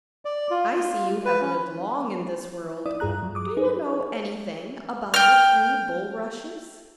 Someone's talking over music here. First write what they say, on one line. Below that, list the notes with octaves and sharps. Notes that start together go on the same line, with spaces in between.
I see you have lived long in this world; do you know anything about the three bulrushes?'
D5
F4
F4
B4
C#4
E4 D5 D#6
G2 F4 G#4 A#5 F#6
F#3
D6 D#6
D#4 G#4
G5 F6